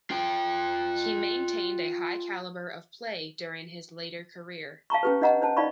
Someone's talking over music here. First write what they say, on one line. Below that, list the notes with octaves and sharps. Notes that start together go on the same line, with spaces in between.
He maintained a high caliber of play during his later career.
F4 G5
F5 A5 A#5 C#6
C#4 G4 B4
D4 D#5 F#5 A#5
D4 C5 A5
D#4 D5 F5 B5 C#6